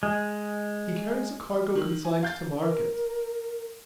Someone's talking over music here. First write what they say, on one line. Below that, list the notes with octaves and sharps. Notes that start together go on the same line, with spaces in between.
He carries a cargo consigned to market.
G#3
D#3
G#5
F5 G6 A6
A#4